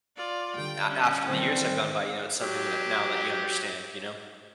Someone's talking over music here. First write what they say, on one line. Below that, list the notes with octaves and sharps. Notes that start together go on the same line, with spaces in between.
a after the years have gone by, you know, it's something that now that you understand, you know?
F4 D5
D3 G3 G5
C#4
D#3 E3 G3 C4
F#3 G4